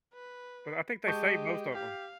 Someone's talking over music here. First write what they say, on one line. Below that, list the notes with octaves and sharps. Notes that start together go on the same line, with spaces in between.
But I think they saved most of 'em.
B4
G#3 G4 A5 C#6 G6
G4 F5